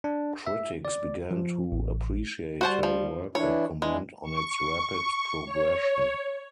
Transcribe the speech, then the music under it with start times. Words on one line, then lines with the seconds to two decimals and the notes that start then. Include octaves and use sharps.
Critics began to appreciate her work and comment on its rapid progression.
0.04 D4
0.47 E5
0.85 D5
1.31 F3
1.72 A1
2.61 G3 F#4 C5 A5
2.83 F3
3.35 E3 D4 E4 C#5
3.82 G#3 D4 E4
4.23 C#6
5.46 C#5